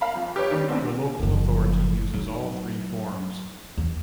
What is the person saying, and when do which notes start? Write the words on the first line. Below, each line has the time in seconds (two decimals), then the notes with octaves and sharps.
The local authority uses all three forms.
0.01 A#4 F5 A#5 B5
0.15 F2
0.36 G4 B4 C#5
0.51 D#3 G3 C#4
0.68 D#2 D3 G3 A3 B3 C4
1.20 F#1 F3
2.13 F#3 D#4
3.78 E2